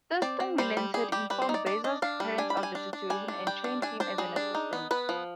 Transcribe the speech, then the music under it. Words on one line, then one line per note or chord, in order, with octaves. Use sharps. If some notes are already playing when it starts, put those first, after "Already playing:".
Thurston relented, informed Besser's parents of the situation, and trained him as an assistant.
C4 D5
C4
G3 C5
G3
G3 G#4
G3 G4
G3 B4
C5
D#4
D5
D4 D5
D4 D#5
D4 F5
G3
D4 G#5
B5
G3
G#5
D4
D4
G3 G#5
D4
G3 G5
D4
D4 G#5
D4 C5
G3 G#4
D4
D#4
B3
B3 B4
F3